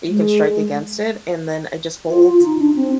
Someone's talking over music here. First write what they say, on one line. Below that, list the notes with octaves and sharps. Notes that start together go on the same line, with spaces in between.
that you can strike against it, and then I just hold,
G#3
F4
F4
D#4
D4
C4